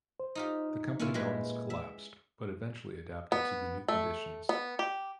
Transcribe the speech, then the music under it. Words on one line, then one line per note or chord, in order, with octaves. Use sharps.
The company almost collapsed, but eventually adapted to the new conditions.
C5
D#4 F4 G4
A#2 A#3 C#4 E4 F4
G#3 G4 B4
E5
B3
A3
B3
G4